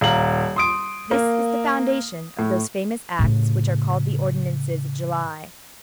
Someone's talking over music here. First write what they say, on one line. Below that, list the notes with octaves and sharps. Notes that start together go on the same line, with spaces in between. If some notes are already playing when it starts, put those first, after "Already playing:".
This is the foundation of those famous acts which are called the ordinances of July.
D#1 F5 A#5 F#7
C6 D#6 D7
A#3
A2
A2 C#3